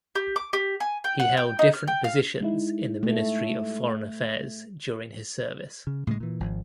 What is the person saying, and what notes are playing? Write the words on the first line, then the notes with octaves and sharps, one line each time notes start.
He held different positions in the Ministry of Foreign Affairs during his service.
G4
D6
G4
G#5
G5
F#5
G5
D#4
F6
G5
F5
G#3 D#4 E4
A3
C#3
A2 C#3 E3 G#3
A#2 E3
G#1 F3